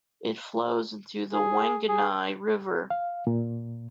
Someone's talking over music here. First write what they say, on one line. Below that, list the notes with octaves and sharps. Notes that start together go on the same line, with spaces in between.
It flows into the Wanganui River.
G#4
G#4
F5
A#2